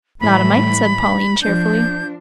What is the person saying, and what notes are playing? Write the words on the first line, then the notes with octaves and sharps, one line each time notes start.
"Not a mite," said Pauline cheerfully.
A2 E3 G3 B5
F3 D4 G6